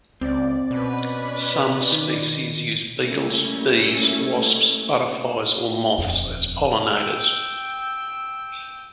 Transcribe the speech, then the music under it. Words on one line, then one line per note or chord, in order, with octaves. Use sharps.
Some species use beetles, bees, wasps, butterflies or moths as pollinators.
C#2 C4 D5
B2 C#4 B4
D#3
G3 A3 A#3 C#4 E4
D#1 F2
G5 E6